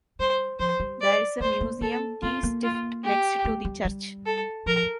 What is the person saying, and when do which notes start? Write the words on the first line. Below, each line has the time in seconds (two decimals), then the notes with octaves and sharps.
There is a museum 't Stift next to the church.
0.19 G3 C5
0.59 F3 C5
0.80 G3
1.01 D5
1.40 A3 C5
1.61 A#3
1.81 A#3 A4
2.22 C4 F4
2.43 A#3
2.63 F4
3.04 G4
3.45 A3
3.65 G3
3.85 G3
4.26 A4
4.66 F3 A#4